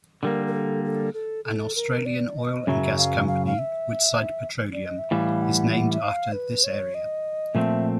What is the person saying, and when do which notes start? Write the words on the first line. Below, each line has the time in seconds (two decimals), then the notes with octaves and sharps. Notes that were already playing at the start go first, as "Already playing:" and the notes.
An Australian oil and gas company, Woodside Petroleum, is named after this area.
0.23 D3 G3 A#3 A#4
0.47 A#4
0.53 A4
0.84 A4
1.14 A4
1.45 A4
1.75 A#4
2.06 D5
2.36 D#5
2.67 F#2 C#3 F#3 E5
2.97 F5
3.27 F5
3.47 F5
3.59 E5
4.73 D5
4.86 D#5
4.98 E5
5.11 A2 E3 G3 F5
5.42 F#5
5.72 F#5
5.93 E5
6.02 F5
6.32 B4
6.64 C#5
6.94 D#5
7.55 A#2 F3 A3 C4 E5